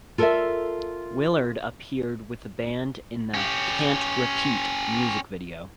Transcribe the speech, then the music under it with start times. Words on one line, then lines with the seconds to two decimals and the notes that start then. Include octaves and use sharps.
Willard appeared with the band in the "Can't Repeat" music video.
0.18 F4 A4 A#4 C5 D5 E5
3.34 C#4 G4